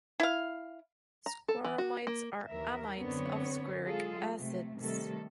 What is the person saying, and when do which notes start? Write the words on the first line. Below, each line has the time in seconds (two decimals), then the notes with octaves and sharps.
Squaramides are amides of squaric acids.
0.20 E4 F5
1.26 A#5
1.48 A4
1.64 E3
1.78 F#4
2.07 A#3
2.50 D#2 E3 A#4 E5
2.96 F#2 D3 B3 C4 C#5
3.85 F#3 G#3 F4 G#4 A4
4.37 C3 A3
4.78 C3 D#3 G3 A3 A4